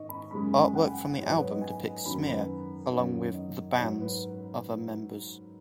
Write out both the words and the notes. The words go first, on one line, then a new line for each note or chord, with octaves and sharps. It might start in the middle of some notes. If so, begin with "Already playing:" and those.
Artwork from the album depicts Smear along with the band's other members.
Already playing: G#2 D#3 D#5 C#6
B5
F#2 C#3 G#3 B5
G#5
F#5
G#2 F#3 C#5
B4
C#5
D#5
G#5
F#2 D#3 F#3 B5
B4
F#2 D#3 F#3 C#5
D#5
G#2 F#3 C#5
B4